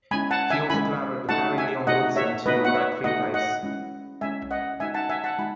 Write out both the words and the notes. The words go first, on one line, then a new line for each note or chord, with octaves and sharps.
He also collaborated with Harry Leon Wilson to write three plays.
G#3 C#4 E4 G#5 B5
F#5 A5
E5 G#5
G#3 C#4 E4 G#5 B5
A3 D#4 F#4 F#5 A5
E5 G#5
A3 D#4 F#4 D#5 F#5
C#5 E5
A3 D#4 F#4 B4 D#5
F#5
C#5 E5
A3 D#4 F#4 D#5 F#5
D#5 F#5
G#3 C#4 E4
G#3 C#4 E4 E5 G#5
D#5 F#5
G#3 D#4 F#4 E5 G#5
F#5 A5
E5 G#5
F#5 A5
G#3 D#4 F#4 G#5 B5